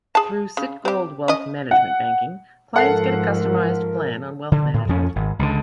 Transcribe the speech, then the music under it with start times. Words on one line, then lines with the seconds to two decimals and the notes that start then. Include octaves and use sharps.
Through Citigold Wealth Management Banking, clients get a customized plan on wealth management.
0.15 G#4 A5
0.57 C#3
0.85 C4 G4
1.28 C#4 D#5
1.71 F#5
2.76 G#2 F3 A4 A#4 F#5 C7
4.52 D3
4.74 A2
4.88 F2 F3 C#4
5.16 G#1
5.39 C#2 D3